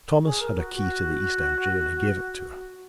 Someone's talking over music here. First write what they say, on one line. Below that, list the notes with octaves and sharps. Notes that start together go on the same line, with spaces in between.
Thomas had a key to the east entry, and gave it to her.
G#4
A#4
F#4
F#4